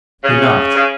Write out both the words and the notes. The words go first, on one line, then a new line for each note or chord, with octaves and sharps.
He knocked.
C#3
C#3